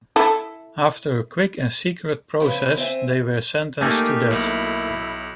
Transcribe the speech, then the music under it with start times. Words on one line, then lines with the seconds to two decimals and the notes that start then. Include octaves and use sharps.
After a quick and secret process, they were sentenced to death.
0.16 E4 A4
2.40 C#3 F3 B3 C4 E4 B4
2.78 C4 C5 E5 G#5
3.81 A3 A#3 D#4 G4 A#4 G#5
4.31 B1 E4